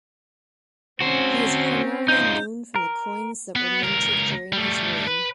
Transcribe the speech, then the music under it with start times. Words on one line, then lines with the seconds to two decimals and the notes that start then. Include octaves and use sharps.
He is primarily known from the coins that were minted during his reign.
1.01 C4 C#4 F#4 C5
2.08 D#4 F4 G6
2.76 A#4
3.56 B3
3.83 C#2 A#4
4.53 G3 A3
5.07 B4